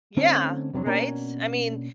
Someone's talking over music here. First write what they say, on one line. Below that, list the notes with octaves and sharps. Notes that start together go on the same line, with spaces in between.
Yeah. Right? I mean,
D3 A3 C4 C#4 D#4
F2 C3 F3 F#3 D4
B2 A#3 C#4 D4 A#4 A#5